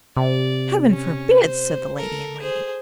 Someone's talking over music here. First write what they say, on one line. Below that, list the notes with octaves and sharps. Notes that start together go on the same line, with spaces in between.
'Heaven forbid!' said the lady-in-waiting.
C3 D5
C#4
C5
A4 A#4
G#4 C5